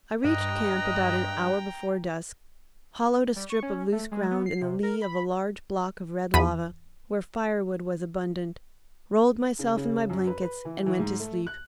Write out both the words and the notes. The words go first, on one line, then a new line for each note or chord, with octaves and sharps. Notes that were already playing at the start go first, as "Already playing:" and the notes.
I reached camp about an hour before dusk, hollowed a strip of loose ground in the lee of a large block of red lava, where firewood was abundant, rolled myself in my blankets, and went to sleep.
G2 D#5 G5 A#5 F#6
G3
C#6
C#4
A3
G#3
B3
C7
C3
A#4
B5
E2 B5 D#7
C#3
C#3
F#2
B4
B4
E3
E3
G#2
A3
F#6